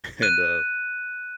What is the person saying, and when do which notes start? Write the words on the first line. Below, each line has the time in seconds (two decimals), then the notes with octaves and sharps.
And, uh
0.22 F#6 D#7